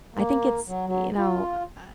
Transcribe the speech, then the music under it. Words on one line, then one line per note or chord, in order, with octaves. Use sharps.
I think it's you know uh
A#3
F#3
F#3
F4